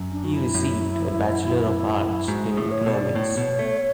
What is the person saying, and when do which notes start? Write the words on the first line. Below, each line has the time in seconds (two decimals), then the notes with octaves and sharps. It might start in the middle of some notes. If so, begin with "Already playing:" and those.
He received a Bachelor of Arts in Economics.
Already playing: F#2
0.12 D4
0.24 F#4
0.33 E4
0.55 F#2
2.28 G#2 F#4
2.51 G#4
2.57 A2
2.71 C#5
2.86 B2
2.93 D5
3.15 A2 C#5
3.37 B2
3.59 A3